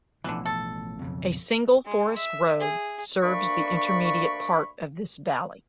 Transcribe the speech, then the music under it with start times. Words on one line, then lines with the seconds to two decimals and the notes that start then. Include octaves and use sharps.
A single forest road serves the intermediate part of this valley.
0.24 A1 B2 D3 E3 F3
0.45 A4
1.02 B1 F2 C#3
1.86 G#3
2.16 E5
2.60 G#4
3.22 D2 A#3 D4 D5 B5 C#6